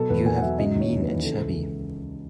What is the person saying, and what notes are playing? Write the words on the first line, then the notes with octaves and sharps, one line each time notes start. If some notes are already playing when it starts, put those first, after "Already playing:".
You have been mean and shabby.
Already playing: B2 F#3 A4
E2 B4
E2 G#5
F#5
F#3 E5
C#3 D#5
D#2
C#5
D#2
E3 B4
C#3 A4
C#2
C#2